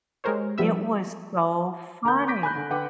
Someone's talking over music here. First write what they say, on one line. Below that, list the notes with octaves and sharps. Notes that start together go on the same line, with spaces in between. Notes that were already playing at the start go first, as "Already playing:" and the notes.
It was so funny.
G#3 G4 A#4 C5 C#5
F3 G3 B3 E5 E6
D2 A#4 A#5 G6
C#6 D6 G6 A#6 B6 D7
G#5 B5 F#6 G6
D3
D3 B4 F#5 G5 D6